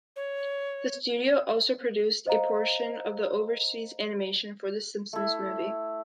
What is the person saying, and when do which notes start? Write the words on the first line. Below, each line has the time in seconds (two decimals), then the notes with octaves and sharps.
The studio also produced a portion of the overseas animation for "The Simpsons Movie".
0.16 C#5
2.26 C5 D#5 F5 A#5
5.13 A3 E4